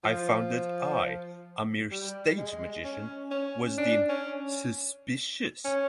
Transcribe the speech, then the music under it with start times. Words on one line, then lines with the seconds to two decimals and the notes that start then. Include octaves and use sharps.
I found that I, a mere stage magician, was deemed "suspicious"!
0.04 F3
1.91 G3
2.38 G#3
2.85 C#4
3.31 C#4
3.78 D4
4.09 C#4
5.65 C#4